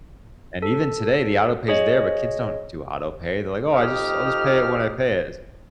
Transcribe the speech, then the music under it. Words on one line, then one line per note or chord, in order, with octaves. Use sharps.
And even today, the autopay's there, but kids don't do autopay. They're like, "Oh, I just I'll just pay it when I pay it."
A4
G#4 C#5 D#5
F2 D#4 G4 D#6 F6